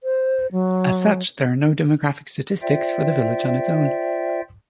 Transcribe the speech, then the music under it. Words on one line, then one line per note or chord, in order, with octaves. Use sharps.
As such, there are no demographic statistics for the village on its own.
C5
F#3
F4 C5 D5 E5 G5